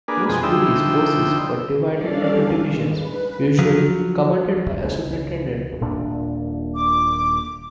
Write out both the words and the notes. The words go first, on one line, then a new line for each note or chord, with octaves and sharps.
Most police forces were divided into divisions, usually commanded by a Superintendent.
A#3 D4 G#4 B4
F2 B2 G#3 C4 G#4
D3 F3 D#4 E4 G5 E6
G3 C#4 D4 A4 D5 F5
D#3 G#3
B4
F3 F#3
C#2
D#1 A#2 D4
D6